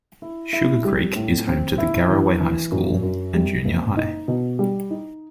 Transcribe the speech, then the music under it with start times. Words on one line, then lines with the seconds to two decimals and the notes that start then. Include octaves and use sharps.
Sugarcreek is home to the Garaway High School and Junior High.
0.22 E4
0.53 E4
0.85 G3
1.16 A2
1.47 C4
1.78 E4
2.09 E3
2.40 E3
2.72 F#2
3.03 F#2
3.34 G3
3.65 F#1
3.97 D#4
4.28 B2
4.59 G3
4.90 D#4